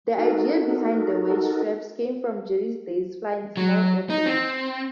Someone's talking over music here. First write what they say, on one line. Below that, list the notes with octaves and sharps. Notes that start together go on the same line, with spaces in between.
The idea behind the weight straps came from Jerry's days flying small airplanes.
D#4 F#4 A4 A#4
F#3
D#4
C4